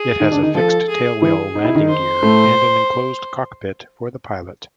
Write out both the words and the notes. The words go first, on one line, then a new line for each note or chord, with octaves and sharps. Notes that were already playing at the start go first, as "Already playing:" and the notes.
It has a fixed-tailwheel landing gear and an enclosed cockpit for the pilot.
Already playing: G#4
D#3 D#4
D3 D4
D#3 D#4
F3 F4 A4
G#4
E3 E4 G#4
D#4
E4
D#3 D#4
C5
A2 A3